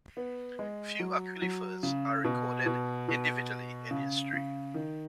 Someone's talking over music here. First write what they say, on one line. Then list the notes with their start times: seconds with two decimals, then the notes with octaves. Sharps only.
Few aquilifers are recorded individually in history.
0.17 B3
0.59 G#3
1.00 F#3
1.42 F#3
1.83 C#3
2.24 B2
2.66 B2
3.08 B2
3.91 C#3
4.33 C#3
4.74 D#3